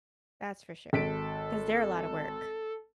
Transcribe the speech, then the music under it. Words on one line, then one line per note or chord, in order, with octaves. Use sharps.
that's for sure, 'cause they're a lotta work,
G#1 A4 B6 D7